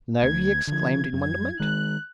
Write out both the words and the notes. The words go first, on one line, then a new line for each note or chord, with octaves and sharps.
"No?" he exclaimed, in wonderment.
D2 G#6
D3 F3 G#6
F#2 G#6
D#3 G#3 F#6